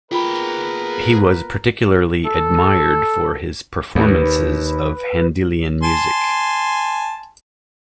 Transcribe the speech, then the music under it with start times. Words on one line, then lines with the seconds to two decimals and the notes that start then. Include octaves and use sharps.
He was particularly admired for his performances of Handelian music.
0.12 A#3 B3 F4 G#4 A#4 B4 G5 B5
2.25 A4
3.95 D#2 B4
5.83 G#5 A5 C6